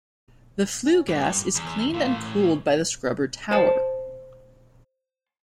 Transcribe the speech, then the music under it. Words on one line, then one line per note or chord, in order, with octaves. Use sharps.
The flue gas is cleaned and cooled by the scrubber tower.
C#4
G2 B3 D6
E2 G#4 B5
A2 E3 A#3 F4
C#5
C5 A5